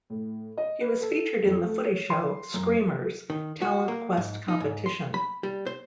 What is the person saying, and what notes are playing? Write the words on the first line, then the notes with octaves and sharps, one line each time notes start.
He was featured in The Footy Show "Screamers" talent quest competition.
A2
D#5
B4
A4
F2
A3
C#5
C6
F#2
D#3
F#4
A#3
G#2
D#4
G#2
C6
B5
G3
C5